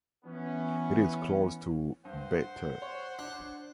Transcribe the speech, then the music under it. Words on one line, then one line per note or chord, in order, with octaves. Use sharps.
It is close to Bete.
E3 B3 C#4
G2 C5 F#5
C#5 C6 C#6
D4